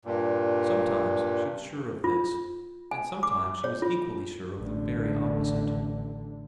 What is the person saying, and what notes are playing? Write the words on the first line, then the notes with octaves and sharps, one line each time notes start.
Sometimes she was sure of this, and sometimes she was equally sure of the very opposite.
G2 A#2
F4
G#5
D6
C#5
F4
A1 D3